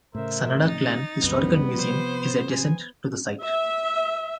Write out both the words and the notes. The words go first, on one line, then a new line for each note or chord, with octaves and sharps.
Sanada clan Historical Museum is adjacent to the site.
A2 C#3 A#4 C5 E5
D#4 A6
C2 F#2 G3 B3
C3 F3 C5
G#5
E5